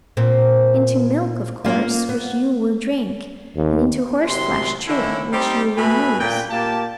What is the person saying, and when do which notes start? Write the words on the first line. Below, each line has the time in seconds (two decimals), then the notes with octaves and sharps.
Into milk, of course, which you will drink; and into horseflesh too, which you will use.
0.17 A#2 C4
1.65 A#3 C#4 F4
2.09 B3
3.56 D#2
4.28 F#2 C3 C6
4.87 D3 D#3 C#4 E4
5.32 G3 C4 D#4 G4 C5
5.76 B2 A4 E5 G#5 B5
6.19 A#2 G5
6.50 A#2 A#3 G4 A5